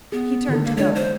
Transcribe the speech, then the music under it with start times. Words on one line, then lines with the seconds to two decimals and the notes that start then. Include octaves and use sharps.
He turned to go.
0.12 B3 G#4
0.49 D3 D#3 A4
0.64 A#3
0.77 G#3 D4 C#5
0.96 C5